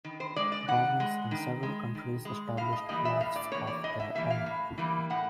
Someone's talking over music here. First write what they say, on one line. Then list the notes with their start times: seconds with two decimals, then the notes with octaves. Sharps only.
Governments in several countries established lofts of their own.
0.05 D#3
0.20 C5
0.36 G#3 D5
0.52 D5
0.68 D#3 F#5
1.00 G#3
1.31 D#3
1.63 G#3
1.95 D#3
2.25 G#3
2.57 A2 F5
2.73 D#5
2.89 E3 G3 A#3 D#5
3.05 E5
3.21 A2 F5
3.36 D5
3.51 E3 G3 A#3 C#5
3.67 D5
3.83 A2 D#5
4.00 E5
4.15 E3 G3 A#3 E5
4.30 F5
4.46 A2
4.78 E3 G3 A#3
5.10 A2 F#5